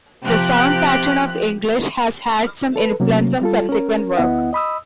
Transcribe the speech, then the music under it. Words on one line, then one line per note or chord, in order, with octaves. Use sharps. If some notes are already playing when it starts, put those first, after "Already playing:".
"The Sound Pattern of English" has had some influence on subsequent work.
C3 F3 G4 F#6
A4 B4
C3 F#3 A#3 C#4
G3 F4 A4
C#4 A#4
D2 B3 E4 D#5 F#5
D#5 B5 D#6 E6